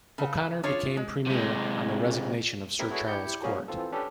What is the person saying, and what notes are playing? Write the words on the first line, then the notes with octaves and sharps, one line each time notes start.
O'Connor became Premier on the resignation of Sir Charles Court.
C#3 A4
C#4 D4 F4 G#4 C#5 D5
G#3
C3 G#3
A3 C4 E4 G4 A#4 E5
E4 F#4 G#4 A4 B4 C#5
E4 G4 G6 C#7
F#3 G3 A#3 C#4 F#4 G#4
E3 C4 F4 A4
C#4 D4 G4 A4 B4